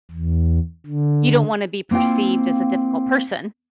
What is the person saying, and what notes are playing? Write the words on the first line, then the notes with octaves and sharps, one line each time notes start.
you don't wanna be perceived as a difficult person.
E2
D3
A#3 C4 E4 F4 G5